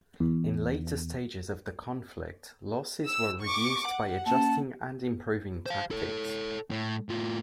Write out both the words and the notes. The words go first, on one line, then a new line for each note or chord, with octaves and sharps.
In later stages of the conflict, losses were reduced by adjusting and improving tactics.
E2
E6
C#6 D6
F#5
A#3 C#4 A5
C5 F5
A4 C#5
A2
A2 F4